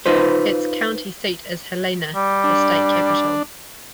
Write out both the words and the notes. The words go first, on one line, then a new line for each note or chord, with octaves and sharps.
Its county seat is Helena, the state capital.
D#4 F4 B4 C5
G3
D4